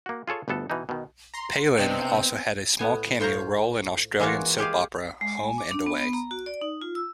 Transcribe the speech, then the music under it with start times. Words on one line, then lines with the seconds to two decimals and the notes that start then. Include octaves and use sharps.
Palin also had a small cameo role in Australian soap opera "Home and Away".
0.06 A#3 F#4
0.28 F4 G#4 A4 C#5
0.48 G1 D2 B3 A4
0.70 B2 E3 D#4
0.89 B2 D#3
1.34 A#5 C6
1.78 C3 B3 C4 D4 D#5 G5
2.79 A2 B3 G#5
3.20 A2 F4 C5 C#5 A#5
4.19 E3 G#3 A#3 F4 F#4 C#5
4.58 G#3 G4 G#4 F5
5.21 G#3
5.37 G#5
5.58 D6
5.71 D4
5.86 B3
6.02 B3
6.13 A#5
6.31 F#4
6.46 D5
6.61 D#4
6.82 F4
6.95 E6